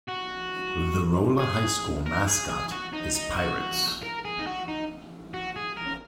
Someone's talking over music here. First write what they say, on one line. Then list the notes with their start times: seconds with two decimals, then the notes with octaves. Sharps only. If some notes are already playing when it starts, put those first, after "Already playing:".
The Rolla High School mascot is Pirates.
0.09 F#4
1.40 G#4
2.06 A#4
2.27 G#4
2.49 G#4
2.71 F#4
2.93 D#4
3.15 D#4
3.37 F#4
4.03 A#4
4.25 G#4
4.39 D#4
4.47 F#4
4.68 D#4
5.34 F#4
5.56 G#4
5.77 A#4